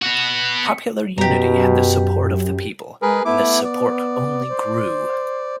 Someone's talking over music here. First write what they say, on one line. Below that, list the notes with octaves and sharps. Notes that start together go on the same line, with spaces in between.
Popular Unity had the support of the people, and this support only grew.
B3 F#4
F#2 B2 G4 A#5
G#3 G#4 A#4 B4
A3 B3 E4 D6
D5
C5